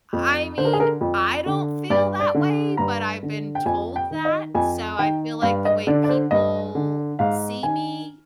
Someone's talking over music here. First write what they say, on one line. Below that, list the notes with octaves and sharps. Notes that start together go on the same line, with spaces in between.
I mean, I don't feel that way, but I've been told that, so I feel like the way people see me
F2
D3 C5
A#4
G#4
A#4
F2
D3
G2 D5
D5
D3
G2 A#5
D3
G5
F2 G#5
G5
D#3
D#5
F2 G#5
D#3 G5
G2 F5
D#5
D3 D5
D5
C5
G2 D#5
D3
G#2 F5
D#3 G#5